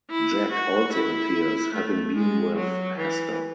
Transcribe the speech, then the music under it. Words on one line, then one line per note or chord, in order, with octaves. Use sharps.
Jack also appears, having been with Hester.
E4
F#4
E4
A3
G#3
F#3
E3